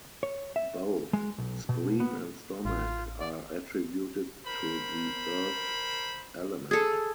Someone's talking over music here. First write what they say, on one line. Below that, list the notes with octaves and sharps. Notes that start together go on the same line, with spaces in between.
Both Spleen and Stomach are attributed to the Earth element.
C#5
E5
G#3
B1
B2
B3
A1 F4
D5
A#4 C5 B5
G#4 A4